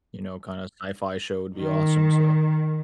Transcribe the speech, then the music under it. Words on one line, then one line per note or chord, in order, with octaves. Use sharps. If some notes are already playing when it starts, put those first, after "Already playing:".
you know, kinda sci-fi show would be awesome, so.
D#3